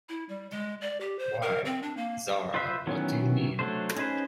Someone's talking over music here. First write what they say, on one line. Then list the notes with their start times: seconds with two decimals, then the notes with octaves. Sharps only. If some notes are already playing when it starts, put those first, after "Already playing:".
Why, Zahra, what do you mean?
0.09 E4
0.29 G3
0.51 G#3
0.81 D5
1.01 G4
1.19 C5
1.42 A#4
1.65 C4
1.83 D4
1.97 A#3
2.54 F4 B4 C5 E5
2.87 D#3 E3 F#3 B3 C#4
3.59 F#3 A3 D4 C5
3.96 C#4 D#4 G#4 B4 C5